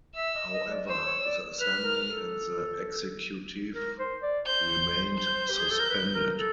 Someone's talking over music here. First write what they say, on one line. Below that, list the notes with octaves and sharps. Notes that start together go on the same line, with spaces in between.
However, the Assembly and the Executive remained suspended.
E5 E6
D#5
D#5
D5
C5 E6
C#5
D5
B4 F6
A#4
A4
A#4
C5
D5
C5 G6
G6
G4
G#4
A4
A#4
B4
A#4
A4